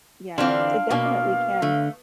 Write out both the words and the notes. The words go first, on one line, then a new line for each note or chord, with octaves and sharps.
Yeah, it definitely can.
D3 E3 C4 D4 F4 F5
B2 A#3
D3 A3